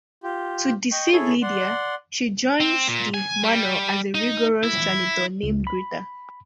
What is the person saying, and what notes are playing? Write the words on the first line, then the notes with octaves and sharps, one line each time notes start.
To deceive Lidia, she joins the manor as a "rigorous" janitor named Greta.
F4 G4
D#5 G5 C#6
E4 G#4 A4 C#5
D5 F#5 C6
C4
A#2
G#5
G3
D#4
E4
C#2
B5